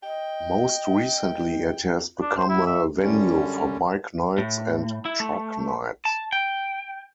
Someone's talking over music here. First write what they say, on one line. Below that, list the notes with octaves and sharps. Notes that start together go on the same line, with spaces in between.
Most recently it has become a venue for bike nights and truck nights.
D#5 G5
D4
C5
E4
E5
F#2 D3 G3 C#4
A2
E4
A3
A5
G5